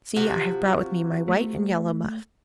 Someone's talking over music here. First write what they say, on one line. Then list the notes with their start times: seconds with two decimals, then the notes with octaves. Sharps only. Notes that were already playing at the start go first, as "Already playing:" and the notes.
See, I have brought with me my white and yellow muff.
0.16 C3 F3 F#4
1.28 A3